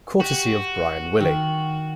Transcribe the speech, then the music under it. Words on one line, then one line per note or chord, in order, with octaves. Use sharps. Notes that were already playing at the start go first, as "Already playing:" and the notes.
Courtesy of Bryan Willy.
F#4 G4
D#3